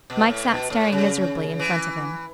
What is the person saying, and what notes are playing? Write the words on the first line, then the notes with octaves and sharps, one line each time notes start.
Mike sat staring miserably in front of him.
B2
A2
B2
A2
C#3
E3